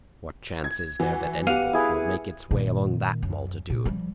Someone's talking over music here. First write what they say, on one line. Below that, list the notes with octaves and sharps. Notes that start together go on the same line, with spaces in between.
What chance is there that any book will make its way among that multitude?
G#6
E3 F#4
B3 G4 F5 F#5 D6 D#7
E4 G#4 B4
A#2 D#3
F#2
A#2
F3 G3